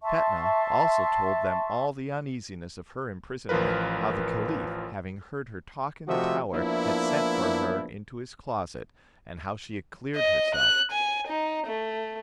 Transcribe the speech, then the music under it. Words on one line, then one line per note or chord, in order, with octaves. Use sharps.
Fetnah also told them all the uneasiness of her imprisonment, how the caliph, having heard her talk in the tower, had sent for her into his closet, and how she had cleared herself.
E5 A5 C6 C#6
A1 F3 F4 A#4 B4
C3 F3 A3 F#4 D#5 E5
F3 A#3 B3 D4 E4
D#5
F#6
G#5
D#4
A3